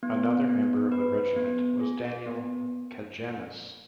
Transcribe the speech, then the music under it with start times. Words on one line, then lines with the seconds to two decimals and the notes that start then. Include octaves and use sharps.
Another member of the regiment was Daniel Cajanus.
0.03 B3
0.48 B3
0.92 B4
1.36 B3
1.81 G#4
2.26 B3